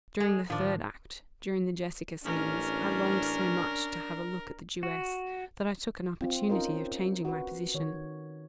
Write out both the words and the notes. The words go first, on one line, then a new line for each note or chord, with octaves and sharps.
During the third act, during the Jessica scenes, I longed so much to have a look at the Jewess, that I took an opportunity of changing my position.
G#3 A4
A2 D#3 F3 D4
A1 C#4 D4 A#4
F#4
C4 F4
C#4 D#4 F4 A#4 C5 D#5
F#4 B4
D#3 C#5